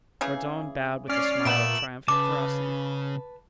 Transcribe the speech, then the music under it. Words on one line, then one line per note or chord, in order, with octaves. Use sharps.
Mordaunt bowed with a smile of triumphant ferocity.
C#3 E3 G#4
C#4 D5 F6 C7
A#2 G3 A3 B3 D7 E7 F#7
C#3 B4 A5 D6